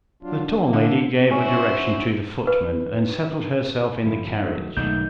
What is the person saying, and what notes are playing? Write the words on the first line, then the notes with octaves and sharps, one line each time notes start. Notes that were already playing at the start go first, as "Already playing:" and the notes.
The tall lady gave a direction to the footman and settled herself in the carriage.
F#3 D4 F4
D4
A#3
D3
C#4 E4 F#4 C5
B4
G1 F3 E4
D#3 F#3 A3
B1 G#2 D#3 A3 D5 D#5 G6